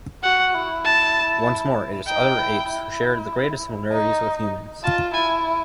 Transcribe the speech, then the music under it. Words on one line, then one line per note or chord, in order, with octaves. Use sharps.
Once more it is other apes who share the greatest similarities with humans.
F#4 F#5
E4
A5
D#4 G5
E4
E4
D#4
F4 A5
E4 G#5